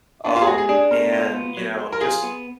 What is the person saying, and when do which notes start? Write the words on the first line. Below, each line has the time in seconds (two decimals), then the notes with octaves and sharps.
um, and, you know, just
0.25 B3 D4
0.36 F4
0.42 G#4
0.47 G#3 F#4
0.58 G#4
0.69 D4 G#4
0.91 B2 A#4
1.13 F4
1.35 B3
1.57 F#3
1.79 F#3
1.92 A#4
2.01 F4 G#4
2.23 B3